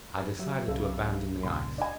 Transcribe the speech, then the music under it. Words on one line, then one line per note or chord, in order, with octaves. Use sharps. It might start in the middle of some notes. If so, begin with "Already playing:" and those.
I decided to abandon the ice.
B4
F#3 G4 E5
C2 C#3 A4
G2 A#2 C#3 C6
D4 D#5 G#5